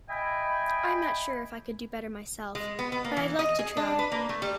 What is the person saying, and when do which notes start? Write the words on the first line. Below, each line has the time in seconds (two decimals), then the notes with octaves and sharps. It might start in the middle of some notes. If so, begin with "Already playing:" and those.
I'm not sure if I could do better myself, but I'd like to try.
0.10 D#5 E5 G5 G#5 B5
2.55 G#3
2.79 B3
2.92 B3
3.04 A#3
3.17 E3
3.39 D#5
3.59 G#4
3.77 D4
3.99 B4
4.12 A#3
4.29 A3
4.42 G3